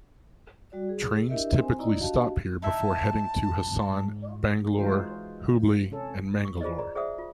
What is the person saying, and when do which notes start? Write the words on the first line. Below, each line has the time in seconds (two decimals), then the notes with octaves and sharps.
Trains typically stop here before heading to Hassan, Bangalore, Hubli, and Mangalore.
0.72 G3 F#4 D5
0.89 G#4
1.29 D4 E4 G4 A#4 D#5 E5
1.58 C4 C5 G#5
1.79 D#4 E4 D5 D#5 A#5
2.00 D4 F#4 G4 D#5 F5 A5
2.62 D#4 E4 E5 A5
3.85 G#2
4.78 E3 G#3 D#4 F4 F#4 C5
5.91 C3 C#4 A4
6.45 C#6
6.61 F4 G#4 C5 D5 D#5
6.78 D5 A#5
6.95 G#4 C5 D5 E5 F#5 D#6
7.18 F4